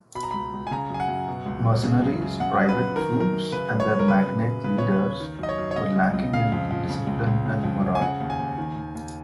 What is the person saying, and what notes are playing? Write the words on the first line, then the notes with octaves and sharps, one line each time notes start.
Mercenaries, private troops and their magnate leaders were lacking in discipline and morale.
B2 B5
A#5
C#2 B5
C#2
G#5
C#3 A#5
F#2 G#5
F#5
F#2
B2
C#2
C#2
C#3
F#2
F#2
C#3 F#5
F#2
B4
F#2
D#3 A#4
F#2 A#4
F#2
C#3 B4
F#2
C#5
F#2
A#4
C#3 B4
F#2
F#2
C#3 B4
D#2 C#5
B4
D#2
D#3
F#2 D#5
C#5
F#2
C#5
C#3 D#5
C#2
C#2
C#3 F5
F2
F2
C#3
C#2
C#2
C#3
F2
F2
G#5
C#3 F#5
D#2
G#5
D#2
D#3
D#2
D#2